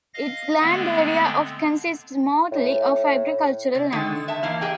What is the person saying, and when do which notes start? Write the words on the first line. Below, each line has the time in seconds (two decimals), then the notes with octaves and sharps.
Its land area of consists mostly of agricultural lands.
0.14 D#5 F5 A#6
0.61 D3 G#3 A3 B3 C4
2.52 A2
3.75 C3
3.92 D3 D#3 G#3
4.28 E5 A5
4.43 E3 A#3 F5
4.61 G4 G#4 D#5 G5